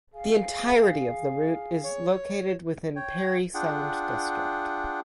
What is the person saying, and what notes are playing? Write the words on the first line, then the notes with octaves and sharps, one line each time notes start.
The entirety of the route is located within Parry Sound District.
G#4 F5
C#5
C#5 G5
D4 F4 G#4 F#5 G5